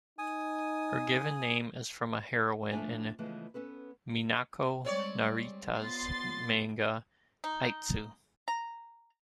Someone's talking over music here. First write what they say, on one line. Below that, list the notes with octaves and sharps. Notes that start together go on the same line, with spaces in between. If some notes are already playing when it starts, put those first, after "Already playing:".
Her given name is from a heroine in Minako Narita's manga "Aitsu".
D#4 G#5 D#6
F3 A3 B3 D4 E5 G#5
C#3 E3 F3 G#3 A3 B3
B3 C#4 A4 B4
G3 G#3 C4 C#5 D5
B3 F4 C6 A6
D#4
A#5